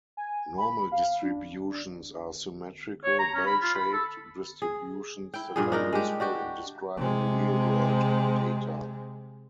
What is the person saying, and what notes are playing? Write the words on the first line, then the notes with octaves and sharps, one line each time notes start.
Normal distributions are symmetrical, bell-shaped distributions that are useful in describing real-world data.
G#5
B5
F5
D4
C#5
A#5
C#4
B5
F4
B5
A4
G#4
E4 G5
G2 A#2 G#4
D4 D#4 A#4
G#3 G4
D4 F#4 G4
C3 G#3